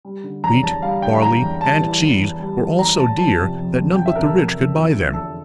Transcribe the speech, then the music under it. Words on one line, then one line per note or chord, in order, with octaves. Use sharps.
Wheat, barley and cheese were all so dear that none but the rich could buy them.
G3
D3
E2 A#5
E2 A5
G3 F5
D3 G5
E2 A#5
E2
G3 A5
E3
E2
E2
G3
E3
E2 A#5
E2 A5
F3 A5
C3
F2
F2
F3 G5
E5
C3 A#4
A4
F2
F2
F3
D3
E2 A4